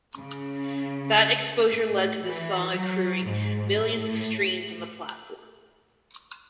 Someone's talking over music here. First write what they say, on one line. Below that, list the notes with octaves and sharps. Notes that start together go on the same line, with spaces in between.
That exposure led to the song accruing millions of streams on the platform.
C#3
A2
E3
F#3
G#2
A2